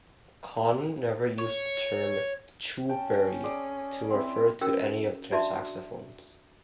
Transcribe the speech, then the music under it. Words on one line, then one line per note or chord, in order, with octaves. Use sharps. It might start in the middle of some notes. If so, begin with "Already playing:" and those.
Conn never used the term "Chu Berry" to refer to any of their saxophones.
C#5
C#4 G5 A5
G#4 D5
C4 E4
C#4 F#4 A#4 G5 E6
D4 F#4 D5 E5 A5 C6